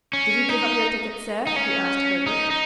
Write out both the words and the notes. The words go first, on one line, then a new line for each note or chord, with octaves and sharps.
"Did you give up your ticket, Sir?" he asked Herbert.
C#4
D#4
D#4
C#4
D#4
D#4